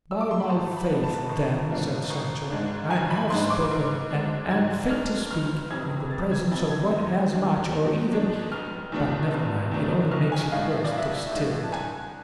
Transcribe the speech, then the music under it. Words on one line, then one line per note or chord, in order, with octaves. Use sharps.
"By my faith then," said Sancho, "I have spoken, and am fit to speak, in the presence of one as much, or even--but never mind--it only makes it worse to stir it."
E6
D6
C6
B5
G#1 A5
B5
G#2 F3 B3 D4
A5
G#1
G#2 F3 B3 D4
G#1
G#2 G#3 D4
G#1 G#5
B5
G#2 G#3 D4 C6
D6
G#2
G#3 D4
G#2 G#6
G#3 D4 F6
F1 F6
F2 C3 E3 G#6
F1 A6
G#6
F2 C3 E3 A6
G#6
E2
B2 G#3 D4
E2
B2 G#3 D4
F1 F6
E2 B2 A3 D4
F1
E2 B2 A3 D4
B1 F6
G#5
A2 G#3 D4 F5
E5
D5
B1
E5
A2 G#3 D4
A5
C2 G#5